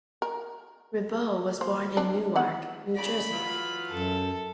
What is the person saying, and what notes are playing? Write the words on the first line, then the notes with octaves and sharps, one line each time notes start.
Ribot was born in Newark, New Jersey.
A#4
A#3 C5
C4 D4 D5
B3 E4 F#5
A#2 C#3 D5 B5
E3 F#3 F4
F#2 A4